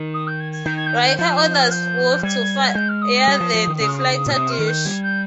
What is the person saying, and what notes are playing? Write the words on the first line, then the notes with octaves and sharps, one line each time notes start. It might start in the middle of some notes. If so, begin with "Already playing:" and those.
Riker orders Worf to fire the deflector dish.
Already playing: D#3
D#6
G6
G#6
G#6
D#3 G6
G#6
G6
G#6
G6
F3 G6
G6
F6
G6
G3 G#6
G#6
G#3 G6
F6
D#6
D#6
G3
F3
F3
D#3
C#3
A#2 F6
C3 D#6
F6
D#3
G6
G3 G#6
G6